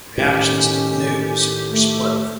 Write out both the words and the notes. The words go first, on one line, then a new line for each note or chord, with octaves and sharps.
Reactions to the news were split.
A2 D#3 C#4 G4
A3